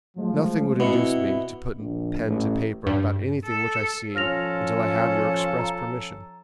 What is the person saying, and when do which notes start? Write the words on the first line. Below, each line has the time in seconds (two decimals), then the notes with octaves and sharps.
Nothing would induce me to put pen to paper about anything which I see until I have your express permission.
0.17 F3 F#3 G#3 A3
0.80 B2 C4 E4 E5 C#7
1.79 A#1
2.27 A1
2.87 G2
3.45 A4
4.16 F3 C#4 F4 A4 F6 A#6 F7
5.59 A#5